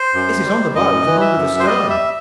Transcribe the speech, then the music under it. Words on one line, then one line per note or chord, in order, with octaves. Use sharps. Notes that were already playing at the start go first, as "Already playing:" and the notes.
"It is on the bows and under the stern."
Already playing: C5
F#2
G3
F#2 D#5
E3
E5
F#2
C5
G3 D#5
E5